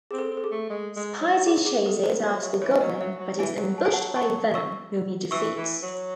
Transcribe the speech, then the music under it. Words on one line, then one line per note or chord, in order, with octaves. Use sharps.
Spidey chases after the Goblin, but is ambushed by Venom, whom he defeats.
C4 G#4
A4
C4
A4
G#4
A3
G#3
G#3
F#3
G#4
G#4
A4
C5
F#3 D#5
F#3 E5
E3 C#5
F#3 D#5
F#3 E5
F#3
E3 E5 G#5
F#3
A5
G#5
F#5 A5
A5 C#6
C#6 E6
E3 C#6 E6
E3
F#3